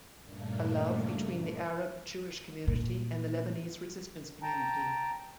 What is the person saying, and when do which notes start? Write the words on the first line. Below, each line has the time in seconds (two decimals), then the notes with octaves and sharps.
A love between the Arab Jewish community and the Lebanese resistance community.
0.22 G2 A#2 C#3 A3 A#3 D4
2.68 A#2
4.43 G5 A5 A#5